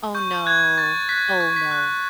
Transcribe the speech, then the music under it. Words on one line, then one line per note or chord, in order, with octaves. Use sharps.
Oh, no. Oh, no.
C#6 G6
F#6 G#6
C#6 A6
F#6 B6
C#6
B6
F#6